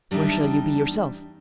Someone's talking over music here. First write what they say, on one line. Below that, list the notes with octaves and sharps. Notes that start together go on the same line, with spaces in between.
"Where shall you be yourself?"
E2 G3 D4 D#4 E5 A5